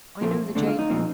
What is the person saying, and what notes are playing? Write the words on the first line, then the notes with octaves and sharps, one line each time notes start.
I know the gaoler.
A#2 F3 A3 C4
D#2 D3 A3 C4 D4
F4
D#4
A#2 F3 C4